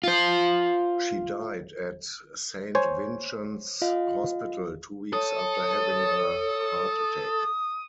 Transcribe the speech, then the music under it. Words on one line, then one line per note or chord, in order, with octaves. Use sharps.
She died at Saint Vincent's Hospital, two weeks after having a heart attack.
F4 C5
C5 C#5 G#5
F4 D#5 F5
A4 C#5 D#6